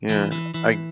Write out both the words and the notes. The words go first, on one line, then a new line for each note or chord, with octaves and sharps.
Yeah, I
E3
E3
E3